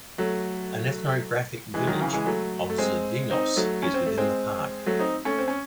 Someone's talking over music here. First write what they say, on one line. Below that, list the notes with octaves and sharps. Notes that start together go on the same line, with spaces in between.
An ethnographic village of Zervynos is within the park.
F#3 A3
E3 G#3
D#3 F#3
C#3 E3
E3 G#3
F#3 A3
A3
G#3 C4
C4 D#4
F#3 A3
C#4
C4
A3
G#3 C4
F#3 A3
C4 D#4
A3 C#4
C4
C#4